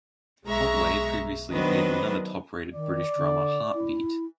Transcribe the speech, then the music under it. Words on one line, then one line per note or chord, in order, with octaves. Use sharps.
Otway previously appeared in another top-rated British drama "Heartbeat".
B1 G#3 E5 A#5 C#6
D#3 F#3 B3 D4 B4 C5
D#3 D5
D3
E4